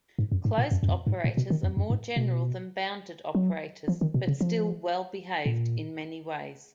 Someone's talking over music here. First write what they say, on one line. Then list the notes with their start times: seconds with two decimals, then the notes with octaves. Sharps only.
Closed operators are more general than bounded operators but still "well-behaved" in many ways.
0.19 G#2
0.32 F#2
0.45 G#2
0.58 A#2
0.71 F#2
0.83 F#2
0.89 F2
1.07 G#2
1.24 A#2
1.37 B2
1.50 D#3
1.63 F2
1.77 F#2
1.90 G#2
2.16 B2
3.35 F#3
3.88 F3
4.01 D#3
4.14 B2
4.27 C#3
4.41 F3
5.46 A#2